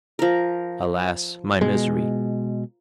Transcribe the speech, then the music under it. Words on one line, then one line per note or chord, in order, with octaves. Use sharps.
'Alas! my misery!
F3 A#4
B2 G#3